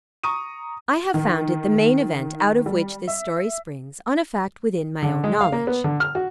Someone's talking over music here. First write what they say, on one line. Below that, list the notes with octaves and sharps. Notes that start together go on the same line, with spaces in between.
I have founded the main event out of which this story springs, on a fact within my own knowledge.
A#5 C#6 D#6 D#7
D#3
G3
E5
D3
G#3
F5
A#3
B3
D3
F6
F#4